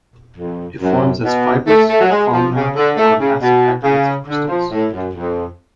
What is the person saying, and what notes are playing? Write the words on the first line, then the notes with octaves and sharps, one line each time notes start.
It forms as fibrous, columnar or massive aggregates of crystals.
F2
F#2
B2
A3
A3
F#3
G#3
F3
C#3
D3
A3
C#3
B2
C#3
D3
F3
A2
F#2
F2